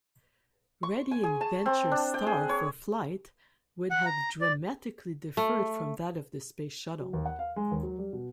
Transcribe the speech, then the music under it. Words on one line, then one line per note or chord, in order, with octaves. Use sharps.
Readying VentureStar for flight would have dramatically differed from that of the Space Shuttle.
C#6
G#5
G#4
A5
C4
D4
G5
G#4
C#5
F#5
A#5
D5
A3
F#3
D#2
F#5
F5
G#3
D#2
F#3
G3
B2